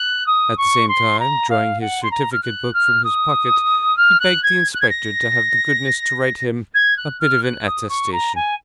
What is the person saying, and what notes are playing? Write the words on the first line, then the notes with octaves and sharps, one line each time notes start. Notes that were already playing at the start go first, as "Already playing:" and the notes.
At the same time, drawing his certificate book from his pocket, he begged the inspector to have the goodness to write him "a bit of an attestation."
Already playing: F#6
D#6
C#6
C6
A#5
F5
F#5
C6
A#5
F6
F#6
F6
D#6
F6
F#6
G#6
F#6
G#6
A#6
G#6
F#6
F6
F#6
D#6
C#6
A#5
G#5